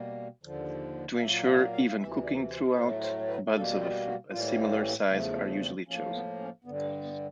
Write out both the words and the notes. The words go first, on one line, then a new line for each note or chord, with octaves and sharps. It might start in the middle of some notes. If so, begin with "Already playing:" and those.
To ensure even cooking throughout, buds of a similar size are usually chosen.
Already playing: B2 G3 A#3
D#2 D3 F3
F5
A#2 F#3 A#3 E5
E5
F5
F5
D2 C3 E3 E5
D5
C5
A2 F#3 A3 C5
C5
B4
B2 G3 A#3 A4
F4
F#4
A2 E3 G3 A#3 F4
E4
A#3
E2 C#3 F3 A3 A#3
B3
C4
A2 F3 A#3 C#4
B3
C#4
G2 D3 G3 B3
A#3
B3